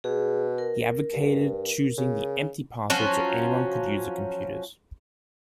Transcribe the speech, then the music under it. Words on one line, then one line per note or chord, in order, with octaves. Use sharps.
He advocated choosing the empty password so anyone could use the computers.
B2 G#4
A#4
G2
C#3
F3 F#3 C#4